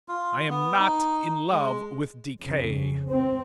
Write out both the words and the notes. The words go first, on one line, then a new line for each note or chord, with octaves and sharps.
I am not in love with decay.
F4
B3
D#4
G#3
F2 C#3
C4